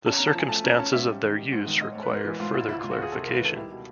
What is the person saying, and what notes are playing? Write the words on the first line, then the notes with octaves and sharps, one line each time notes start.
The circumstances of their use require further clarification.
C#4 A5
A#5
C#4
A5
F3 G#5
A3 A5
C#4 A#5
C#4 A5
G#2 E5
G3
D#3
G3
G#2
D#3
G#2 D#5
C#5
G#2
B4
G#2 A#4
E3 A#4
G#2 F4
G#2 E4
C#2 E4
F4
C#2
F#4
C#2 G#4
C3 A4
A#4
C#2
B4
D#3 A4
G3 E4
B2